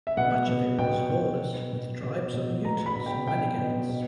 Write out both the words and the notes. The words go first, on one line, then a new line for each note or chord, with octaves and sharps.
Much of it was lawless with tribes of mutants and renegades.
E5
B2 F#5
B2
B2 G5
B2
B2
B2
B2
B2
B2 A#5
B5
B2
G5
B2 G5
B2
B2